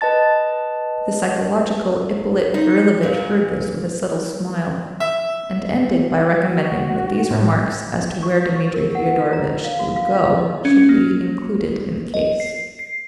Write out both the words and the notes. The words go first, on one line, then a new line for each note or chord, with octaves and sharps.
The psychological Ippolit Kirillovitch heard this with a subtle smile, and ended by recommending that these remarks as to where Dmitri Fyodorovitch would go should be "included in the case."
B4 D#5 A5 A6
D#4
A#2
E5
F#4
A2
C#6
C#6
A#4
F#5
F4
A#5
F5
F#4
F5
F4
D#5
C#4
A#3
D#5
C7
C7